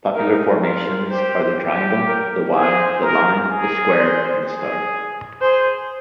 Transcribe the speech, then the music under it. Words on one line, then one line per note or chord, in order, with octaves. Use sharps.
Popular formations are the triangle, the Y, the line, the square and the star.
D#4 A#4
F4 A#4
G4 C5
G4
A#4
G#4 C5
A#4
G#4
C5
G#4
G#4 C5